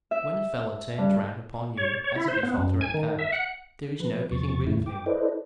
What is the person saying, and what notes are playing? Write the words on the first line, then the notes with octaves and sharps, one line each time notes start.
But when a fellow turns round upon you as a defaulter at cards, there is no getting rid of him.
E5
G2
C#5
C#5
E4
C5
B3
F#2
G#5
D#3
E5
F#5
F3 B4
E2 C3 F3 C#6 A6
F2 G#2 B2 D#3 A3 E4
G5 D6
E4 A4 B4 C5 D5 D#5